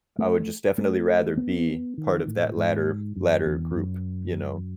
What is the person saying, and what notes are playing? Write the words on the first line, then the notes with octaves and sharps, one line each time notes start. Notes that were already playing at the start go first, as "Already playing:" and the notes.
I would just definitely rather be part of that latter latter group. You know?
A3
A3
B3
D#3
A2
G#2
F#2
E2
F#2